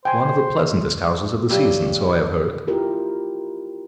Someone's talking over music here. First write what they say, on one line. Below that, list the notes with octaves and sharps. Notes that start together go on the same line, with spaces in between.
One of the pleasantest houses of the season, so I have heard.
C5 G5 G#5
G2 F#3 G3 E5
E4 F4 G4 A#4